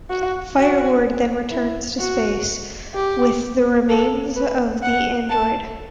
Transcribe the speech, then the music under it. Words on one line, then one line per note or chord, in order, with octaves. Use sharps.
Firelord then returns to space with the remains of the android.
F#4
F#4
E4
F#4
G4
A4
B4
F#5
A5